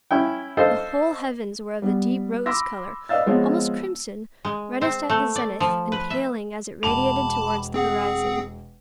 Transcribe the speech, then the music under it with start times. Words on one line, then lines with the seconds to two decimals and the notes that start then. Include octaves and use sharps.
The whole heavens were of a deep rose-color--almost crimson--reddest at the zenith, and paling as it radiated towards the horizon.
0.11 C#4 E4 G5
0.57 A4 C5 D#5 F5
1.82 G3 B3
2.46 B5 C6 D6 E6 A#6
3.09 B4 D5 D#5 F5 E6 A6
3.26 F3 G#3 B3 C4 F4 C#5
4.45 G#3
4.81 C4
5.10 A3
5.36 D5
5.60 F3
5.92 B4
6.10 E5
6.83 E1 A5 B5 D6 F7
7.74 C4 G#4 F#5